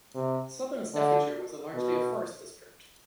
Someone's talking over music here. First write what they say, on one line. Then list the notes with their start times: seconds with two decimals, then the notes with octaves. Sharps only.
Southern Staffordshire was largely a forest-district.
0.15 C3
0.94 D3
1.74 B2